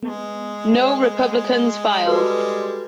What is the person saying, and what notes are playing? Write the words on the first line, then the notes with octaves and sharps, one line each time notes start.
No Republicans filed.
G#3 B3
G3 G#3 F#4 A4 B4 C6 F6